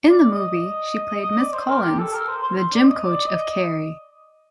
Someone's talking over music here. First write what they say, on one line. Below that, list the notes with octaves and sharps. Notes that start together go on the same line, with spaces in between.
In the movie, she played “Miss Collins”, the gym coach of “Carrie”.
D5
D#5
D#5
D5
C5
A#4
G4
A4
A#4
C5
C5
D5
D#5
D5
D#5